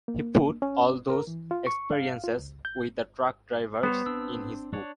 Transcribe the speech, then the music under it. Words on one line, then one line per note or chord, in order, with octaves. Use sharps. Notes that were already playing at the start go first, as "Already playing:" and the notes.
He put all those experiences with the truck drivers in his book.
A#3
C#4
A#4
E3
F4
C#6
F5
F4
C#2
G6
G3 B3 C5 C#5
C4 D4 E6
D4 C#5